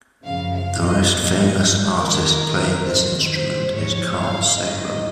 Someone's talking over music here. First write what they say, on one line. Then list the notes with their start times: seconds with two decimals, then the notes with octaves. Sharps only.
The most famous artist playing this instrument is Karl Seglem.
0.23 F#2 C#3 F3 F5
0.53 F5
0.82 D#5
1.11 A#2 F3 D#5
1.98 F2 D#3 A#4
2.86 G#2 D#3 C5
3.74 G#2 F3 C#5
4.18 F5
4.61 G#2 D#3 D#5